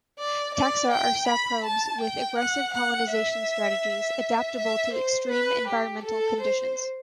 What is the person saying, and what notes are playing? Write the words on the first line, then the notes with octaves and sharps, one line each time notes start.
Taxa are saprobes with aggressive colonization strategies, adaptable to extreme environmental conditions.
D5
D5
G5
B5
A5
G5
F#5
F#5
E5
E5
C5
B4
G4
A4
C5